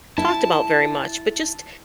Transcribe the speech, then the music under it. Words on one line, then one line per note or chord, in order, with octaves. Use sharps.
talked about very much, but just
E4 A5